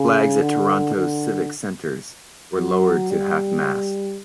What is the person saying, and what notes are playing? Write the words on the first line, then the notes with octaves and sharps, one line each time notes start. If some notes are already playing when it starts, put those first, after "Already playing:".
Flags at Toronto's civic centres were lowered to half mast.
Already playing: C#3
D3
D3
F#3
G3